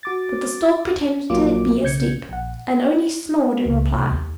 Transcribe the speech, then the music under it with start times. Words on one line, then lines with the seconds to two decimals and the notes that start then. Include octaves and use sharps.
But the Stork pretended to be asleep, and only snored in reply.
0.03 F#4 D6 A6
1.30 A#1 F#3 A#3 F4 D6
1.83 B1 C#3 G6 G#6 C#7
2.29 A#1 F#5
3.65 C#2
3.92 C3
4.11 D#2